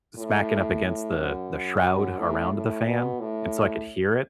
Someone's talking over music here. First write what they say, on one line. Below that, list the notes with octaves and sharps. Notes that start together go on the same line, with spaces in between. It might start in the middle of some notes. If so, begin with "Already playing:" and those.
smacking up against the the shroud around the fan, and so I could hear it,
A2
A2
F#2
A2
A2
B2
A2